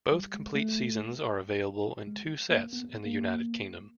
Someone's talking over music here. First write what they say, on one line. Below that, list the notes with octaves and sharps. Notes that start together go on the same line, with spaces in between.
Both complete seasons are available in two sets in the United Kingdom.
G3
G#3
A3
G#3
A#3
B3
A#3